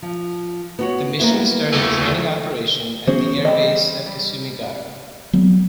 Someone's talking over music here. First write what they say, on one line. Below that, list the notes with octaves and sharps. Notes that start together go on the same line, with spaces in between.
The Mission started training operation at the air base of Kasumigaura.
F3
B3 F#4 C#5
A#3 B3 E4
C#2 A3
E3 B3 C#4 F#4 G#4 C5
G3 C4 D#5
G3
F#3 B3 C4